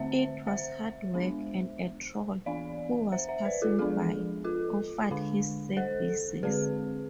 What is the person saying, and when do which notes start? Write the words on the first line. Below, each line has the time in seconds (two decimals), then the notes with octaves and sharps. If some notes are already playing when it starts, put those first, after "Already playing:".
It was hard work, and a troll, who was passing by, offered his services.
Already playing: D3 A3 C4 C5 E5
0.47 C5 E5
1.14 G#3 B3 D4
2.46 E3 B3 D4 D5 F5
3.12 C5 E5
3.29 C5 E5
3.45 B4 D5
3.62 F4 A4
3.79 F3 G#3 B3 D4 G#4
4.44 F4 A4
5.11 D3 G#3 D4
5.77 A4 C5
6.43 D3 G#3 C4 G#4 B4